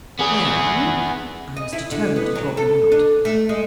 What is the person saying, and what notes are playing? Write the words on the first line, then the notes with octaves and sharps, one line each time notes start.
"Well--" I was determined to draw him out.
B3 G#4
D#5
E4
D3
B3
F#3
A4
D4
A3
G#3